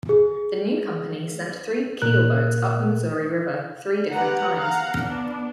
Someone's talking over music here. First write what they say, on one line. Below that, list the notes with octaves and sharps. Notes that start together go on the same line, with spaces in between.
The new company sent three keelboats up the Missouri River, three different times.
G#4
A#2 A#4 F#6
G4 B4 F#5 A#5
F5 F#5 A#5
B3 D4